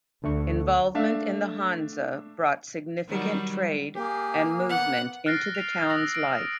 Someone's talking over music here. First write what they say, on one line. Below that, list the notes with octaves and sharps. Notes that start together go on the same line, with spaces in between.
Involvement in the Hansa brought significant trade and movement into the town's life.
D2 D3 A3 C#6
A3 D4 E5 F5
D#3 F#3 G3
A#3 G4 G#4
B3 F#5
F6 F#6 A6 A#6 C7 D7
F7
D#6 E6 A#6 F7
D7